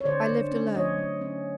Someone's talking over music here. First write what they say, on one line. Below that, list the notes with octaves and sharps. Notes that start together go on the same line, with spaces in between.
I lived alone.
C#5
D3 C5 D5
D3
C#4
A3 C#5 D#5
F#3
C#4